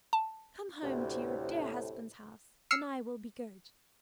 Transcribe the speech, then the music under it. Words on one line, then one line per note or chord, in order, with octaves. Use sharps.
"Come home to your dear husband's house, and I will be good."
A5
D2 A2 C3
E6 F6 C7 C#7